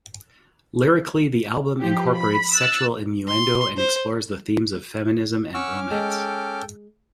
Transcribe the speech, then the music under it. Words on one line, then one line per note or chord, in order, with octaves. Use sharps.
Lyrically the album incorporates sexual innuendo and explores the themes of feminism and romance.
F3 G4
B5
E6 F#6 A6
C6
C5
C#4 F#5 C#6 D6 E6 F6
G#3 A4 G5